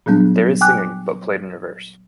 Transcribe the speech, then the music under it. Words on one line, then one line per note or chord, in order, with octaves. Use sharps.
There is singing, but played in reverse.
A#2 F#3 G3 B3 D4
G5 G#5 D6 F#6